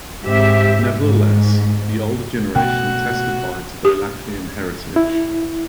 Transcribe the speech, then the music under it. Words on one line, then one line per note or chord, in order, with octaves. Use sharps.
Nevertheless, the older generation testified to their Latvian heritage.
G#2 C4 G4 E5
G#2
B2 A3 F#4 G5
G4
E4